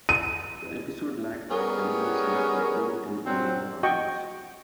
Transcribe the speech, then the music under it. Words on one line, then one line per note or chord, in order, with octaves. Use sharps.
The episode lacked elements that would bring in a younger audience.
D#7
G3 B3 C#4 G#4 A#4
A#2 F#3 C4
F#4 D#5 G5 C#6